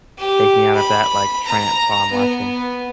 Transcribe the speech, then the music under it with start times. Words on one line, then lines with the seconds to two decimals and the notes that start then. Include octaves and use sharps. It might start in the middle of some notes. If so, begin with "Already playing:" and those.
take me out of that, like, trance while I'm watching.
0.18 G4
0.75 B5
1.46 A#5
2.12 B3